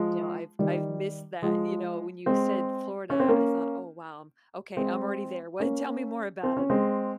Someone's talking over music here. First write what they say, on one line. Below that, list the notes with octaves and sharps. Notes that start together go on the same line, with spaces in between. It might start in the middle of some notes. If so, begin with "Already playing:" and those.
you know, I've I've missed that, you know, when you said Florida, I thought, "Oh, wow, okay, I'm already there, what tell me more about it,
Already playing: F3 G#3
D#3 G3
F3 G#3
G#3 C4
C#4
C4
A#3 C#4
G#3 C4
A#3 C#4
C4
C#4
G#3 C4